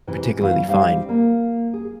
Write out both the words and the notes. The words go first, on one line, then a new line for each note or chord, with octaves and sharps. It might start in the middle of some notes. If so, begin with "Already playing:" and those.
particularly fine,
G#2 C3 E3
G2 E3 F#3 C4 E4 F5
G3 C4 D#4 F5
A#3
G#4